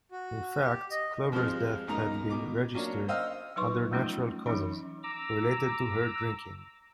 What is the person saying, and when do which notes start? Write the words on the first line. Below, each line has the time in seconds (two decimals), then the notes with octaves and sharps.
In fact, Clover's death had been registered under natural causes, related to her drinking.
0.11 F#4
0.61 G4
0.91 D#5
1.32 F2 F3 G3 G#3 F6
1.87 C#2 B2 D#4 A#4 A#5
2.30 B2 D6
2.74 F#3 A#3 C#4 D4
3.08 C5 D#5 F5 E6 F6
3.56 F#3 D#4 B4 C6 C#6
3.92 F3 G3 A3 C#4 D#4 F4
4.46 E3 F#3 C#4 D#4 B5
5.03 A#5 D6 E6